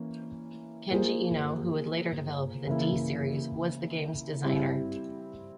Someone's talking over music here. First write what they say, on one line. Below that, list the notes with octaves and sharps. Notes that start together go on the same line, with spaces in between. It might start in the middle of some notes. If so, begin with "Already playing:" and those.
Kenji Eno, who would later develop the "D" series, was the game's designer.
Already playing: E3 A#3 C#4
A#3 F4 G#4 C5
C#3 E3 A#3 E4
G3 C4 E4